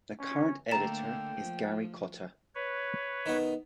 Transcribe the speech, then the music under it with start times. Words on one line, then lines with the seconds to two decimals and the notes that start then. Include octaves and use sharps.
The current editor is Garry Cotter.
0.19 C#4
0.71 D3 A3 A#3 G5 A#5 A6 E7
1.37 F3
2.55 B4 C#5
3.26 D#3 B3